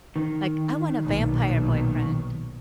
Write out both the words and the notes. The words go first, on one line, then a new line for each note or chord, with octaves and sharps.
like, "I want a vampire boyfriend."
D#3
B1 A#2